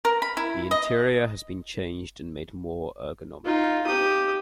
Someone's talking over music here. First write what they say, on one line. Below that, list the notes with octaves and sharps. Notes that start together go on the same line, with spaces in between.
The interior has been changed and made more ergonomic.
A#4
B5
E4
D#5
D#4 F4
G4 D#6